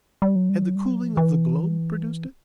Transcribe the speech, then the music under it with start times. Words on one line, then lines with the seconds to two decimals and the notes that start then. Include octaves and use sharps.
Had the cooling of the globe produced it?
0.22 G3
0.36 F#3
0.49 G3
0.62 F#3
0.75 G3
0.90 F#3
1.03 F3
1.13 D#3
1.17 E3